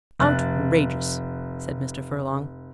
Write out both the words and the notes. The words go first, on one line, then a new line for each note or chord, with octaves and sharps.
"Outrageous!" said Mr. Furlong.
F1 F#6 A6